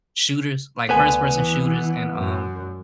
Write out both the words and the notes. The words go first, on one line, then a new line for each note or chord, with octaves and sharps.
shooters like, first-person shooters and, um
D2 D3 B3 B4 G#5
E3
F#2